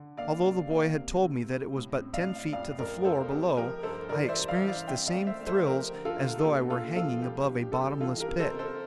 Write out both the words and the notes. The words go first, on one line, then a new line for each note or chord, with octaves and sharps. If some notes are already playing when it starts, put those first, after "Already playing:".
Although the boy had told me that it was but ten feet to the floor below I experienced the same thrills as though I were hanging above a bottomless pit.
Already playing: D3
A#3 D5 F5
C3
A#3
C3
C3
G3
A2
C4
D5 F5
A2
F2 D5 F5
F2 A#4 D5
F2 A4 C5
C4 G4
F3 G4 A#4
G2 A4 C5
E3 A#4 D5
D5
C5 E5
G3
D5 F5
E3
D5 F5
C4 E5 G5
D5 F5
A3
C5 E5
A3
A4 C5
F3 G4 A#4
D3
F4 A4
D3
A4
A#2 G4
A#2 F4 A4
F3 F4 A4
G3 G4
G4
D4
G4
G3 A4
G4
E3 F4 A4
G4 A#4
C3
A4 C5
C3
A4 C5